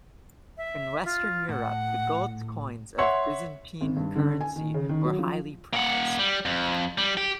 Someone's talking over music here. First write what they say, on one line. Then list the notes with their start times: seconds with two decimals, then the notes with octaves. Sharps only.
In Western Europe, the gold coins of Byzantine currency were highly prized.
0.57 E5
1.05 F4
1.49 A2 F#5
2.98 C#5 E5 F#5 C6 C#6
3.81 G#1
3.97 G2
4.16 D3
4.41 G#5
4.56 D#3
4.74 C#3
4.89 D#3
5.05 F#3
5.19 F3
5.73 A#3 F#5
6.19 G3
6.45 F2
6.98 G3
7.17 G4